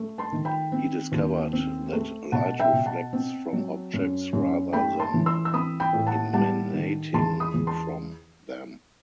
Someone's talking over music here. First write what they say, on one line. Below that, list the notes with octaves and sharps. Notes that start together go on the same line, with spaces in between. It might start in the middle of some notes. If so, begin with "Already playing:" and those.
He discovered that light reflects from objects rather than emanating from them.
Already playing: A3
A5 C6
D#3
G5 B5
C4
D#2
C4
A3
B2 F#5 A5
E5 G5
B2
F#5 A5
C4
F#3
F#2
F#2
A3 G5 B5
A5 C6
E3
C6 E6
E6
C4 B5 D#6
G5 B5
A2
F#5 A5
G3 F#5 A5
D#3
E2 A5 C6
B5 D#6
E2
A5 C6